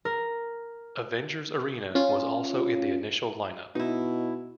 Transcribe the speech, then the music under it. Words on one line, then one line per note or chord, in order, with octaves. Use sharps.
Avengers Arena was also in the initial lineup.
A#4
C#4 F4
B2 D#4 E4